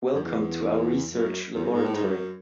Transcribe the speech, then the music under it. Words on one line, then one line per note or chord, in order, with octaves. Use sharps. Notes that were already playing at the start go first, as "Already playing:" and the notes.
Welcome to our research Laboratory.
F#2
E2
F#2
E2
F#2
G#2
A2
G#2
F#2